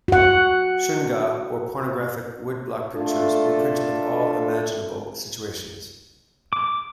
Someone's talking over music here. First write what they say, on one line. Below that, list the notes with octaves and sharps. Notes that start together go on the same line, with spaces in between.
Shunga or pornographic wood-block pictures were printed with all imaginable situations.
F#4 F#5
A3 D4 F4 A4
D6